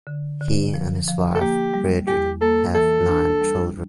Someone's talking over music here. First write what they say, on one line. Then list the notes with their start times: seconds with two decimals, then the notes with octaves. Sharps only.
He and his wife Bridget have nine children.
0.07 D3
0.41 D3
0.74 F3
1.08 F3
1.35 A4
1.40 A#3 G4
1.74 G3
2.07 E2 G4
2.41 A#3 A4
2.75 E3 A4
3.08 D4
3.41 G3